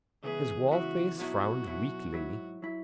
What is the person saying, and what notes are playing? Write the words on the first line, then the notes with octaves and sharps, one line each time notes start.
His wallface frowned weakly.
C#2 C#3 E3 B3 E4 G#4
C#2 C#3 E3 B3 E4 F#4
B1 B2 F#3 E4 F#4
B1 B2 F#3 E4
G#2 F#3 E4
F#3 E4